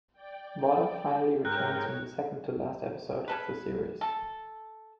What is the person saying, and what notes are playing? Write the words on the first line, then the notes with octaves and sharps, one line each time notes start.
Warlock finally returns in the second-to-last episode of the series.
D5 G5
G#2 A#4 C#5 G5 F#6
C#3 A4 B4
A4